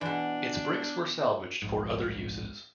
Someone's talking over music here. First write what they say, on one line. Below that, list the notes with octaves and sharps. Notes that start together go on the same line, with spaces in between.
Its bricks were salvaged for other uses.
B2 E3 D4
D1 A#1 G#2